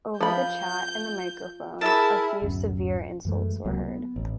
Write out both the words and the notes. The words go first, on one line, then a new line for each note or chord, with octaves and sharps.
Over the chat and the microphone a few severe insults were heard.
F3 B5 G6
E4 G#4 A#4 A5 E6
D1 B1 F#2
F#2 E3 G#3 A3
C#2 C3 F#3 A#3
B3
A1